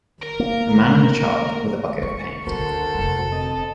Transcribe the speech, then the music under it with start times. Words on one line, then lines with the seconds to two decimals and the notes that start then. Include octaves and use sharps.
A man and a child with a bucket of paint.
0.23 A#4
0.40 A#3
2.03 A#3 C#6
2.47 D2 D3 F#4 A4 A#4 C5
2.95 F1 D3
3.32 C4 D#5 A5